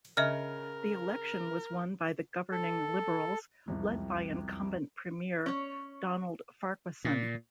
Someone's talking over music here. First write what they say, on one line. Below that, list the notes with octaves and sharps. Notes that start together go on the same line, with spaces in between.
The election was won by the governing Liberals, led by incumbent Premier Donald Farquharson.
C#3 A#4 D#5 E5 F6
A4
E1 C2 F2
C#4 C#5
A#2